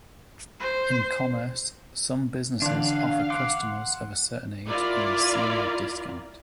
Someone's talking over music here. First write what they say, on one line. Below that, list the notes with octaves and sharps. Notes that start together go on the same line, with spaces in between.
In commerce, some businesses offer customers of a certain age a "senior discount".
C5
D3 E3 D4 F5 F#5 A5
F#5 C6 D6
E4 F4 A#4 D5